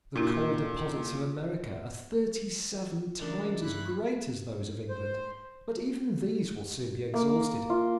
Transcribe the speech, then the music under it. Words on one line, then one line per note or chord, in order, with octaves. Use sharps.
The coal deposits of America are thirty-seven times as great as those of England, but even these will soon be exhausted.
A#2 D4 E4 F#4
C#3 E3 A3 D4 A4 A#4
G2 F3 A3 E4 B5 F#6
C5
A#3
F4